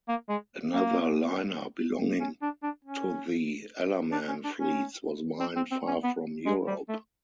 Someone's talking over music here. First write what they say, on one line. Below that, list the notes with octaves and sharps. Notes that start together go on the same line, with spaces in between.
Another liner belonging to the Ellerman fleets was mined far from Europe.
A#3
G#3
A#3
C#4
D4
D4
C#4
D4
C#4
D4
C#4
C4
C4
C4
C#4
B3
G#3
G3
A3